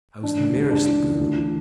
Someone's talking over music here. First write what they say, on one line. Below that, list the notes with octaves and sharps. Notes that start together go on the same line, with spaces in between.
I was the merest girl.
E3 D4
C#3
C#2
C#2 D4
E3
C#2
D2
E3